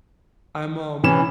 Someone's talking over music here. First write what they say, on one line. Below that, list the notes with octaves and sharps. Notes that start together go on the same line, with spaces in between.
I'm, um
C3 E3 C#4 E7